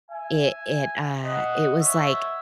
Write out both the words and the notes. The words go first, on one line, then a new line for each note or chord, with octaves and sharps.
it it, uh, it was like
E5 G#5
D#5 F#5
C#5 E5